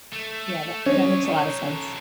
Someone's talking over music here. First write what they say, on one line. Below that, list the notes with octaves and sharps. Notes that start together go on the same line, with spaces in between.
yeah, that that makes a lotta sense.
A3
C#4 C#5 D#5
A3 D#4